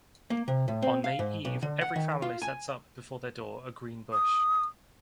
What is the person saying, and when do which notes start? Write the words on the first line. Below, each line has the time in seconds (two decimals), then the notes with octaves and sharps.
On May-eve, every family sets up before their door a green bush.
0.30 A#3
0.48 C3
0.68 A2
0.82 C4
1.04 F5
1.19 G#2
1.45 B1
1.62 D3
1.81 F#5
1.96 D#3
2.22 F4
2.42 G#5
4.13 D#6